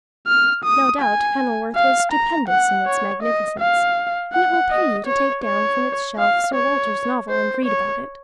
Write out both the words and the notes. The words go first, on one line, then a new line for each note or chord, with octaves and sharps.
No doubt Kenilworth was stupendous in its magnificence, and it will pay you to take down from its shelf Sir Walter's novel and read about it.
F6
D#6
G#5
F5
A#5
F#5
C#5
D#5
F5
F#5
D#5
C#5
C#5
F5
C#5
C5
C#5